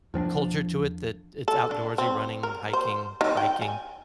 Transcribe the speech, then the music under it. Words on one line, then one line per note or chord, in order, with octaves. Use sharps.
culture to it, that it's outdoorsy, running, hiking, biking,
E2 F3 C4 D4
A4
D4
C4
A#4
C5
D#3
G5
G#5